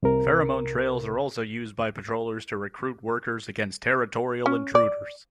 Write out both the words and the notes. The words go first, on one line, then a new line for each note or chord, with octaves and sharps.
Pheromone trails are also used by patrollers to recruit workers against territorial intruders.
C2 C3 A#4
C#4
D5